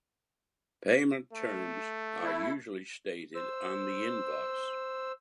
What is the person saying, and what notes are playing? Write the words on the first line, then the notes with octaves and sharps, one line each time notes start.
Payment terms are usually stated on the invoice.
A3
E4
C5 E6